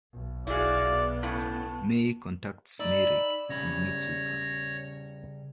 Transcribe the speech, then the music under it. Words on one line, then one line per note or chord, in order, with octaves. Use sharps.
May contacts Mary and meets with her.
B1
E4 F#4 G#4 D5 F5
B3
A2 C#3 A5
D#4 D5 B5 E6
C#3 G3 C#5 B5 A#6